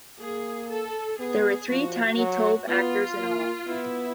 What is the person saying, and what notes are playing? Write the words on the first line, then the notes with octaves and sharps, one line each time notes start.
There were three Tiny Tov actors in all.
A#3 G#4
A4
B3 G#4
F3 F#4
F#3
B3 F4
A#3
B3 E4